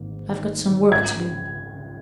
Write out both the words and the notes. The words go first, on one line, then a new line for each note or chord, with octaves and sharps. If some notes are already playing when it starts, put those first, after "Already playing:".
I've got some work to do.
Already playing: G#1 G#2 D#3 A#3
G#2
D#3
A#3
G#1
C#3 G#6
G#3
C#2
C#2
C#3